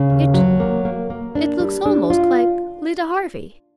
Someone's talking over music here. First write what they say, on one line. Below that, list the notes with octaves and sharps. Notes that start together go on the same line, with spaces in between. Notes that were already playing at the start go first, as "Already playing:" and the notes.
"It--it looks almost like Lida Harvey."
Already playing: C#3
D#2
F#3
A#3
A#3
A#3
D4
G3
D4
F4